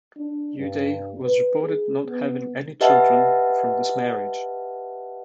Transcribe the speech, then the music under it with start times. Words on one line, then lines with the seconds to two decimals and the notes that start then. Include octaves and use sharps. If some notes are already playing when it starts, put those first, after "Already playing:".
Uday was reported not having any children from his marriage.
0.17 D4
0.58 G2
1.23 B4
1.62 G#4
2.06 B3
2.81 G4 B4 D#5 E5 F#5 A5